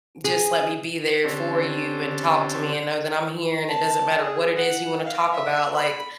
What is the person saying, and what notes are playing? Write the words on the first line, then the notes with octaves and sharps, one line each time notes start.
just let me be there for you, and talk to me, and know that I'm here, and it doesn't matter what it is you wanna talk about." Like,
G#4
D3 C4 C#4 G4 A4
A5
G#4
F#5
F5
E5
B5